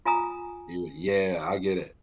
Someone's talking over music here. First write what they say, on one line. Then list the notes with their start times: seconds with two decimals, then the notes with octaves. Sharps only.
You yeah, I get it.
0.05 F4 G#5 A#5 D#6